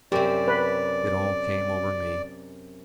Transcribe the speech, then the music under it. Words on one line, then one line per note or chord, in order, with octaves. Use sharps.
It all came over me.
F#2 C3 G4 D5
B4